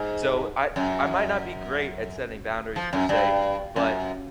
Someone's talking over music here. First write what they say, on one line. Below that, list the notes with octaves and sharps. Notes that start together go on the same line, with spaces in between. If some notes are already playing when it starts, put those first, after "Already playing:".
so, I I might not be great at setting boundaries per se, but,
Already playing: G#2
F#2
F3
F#2
G2
F#2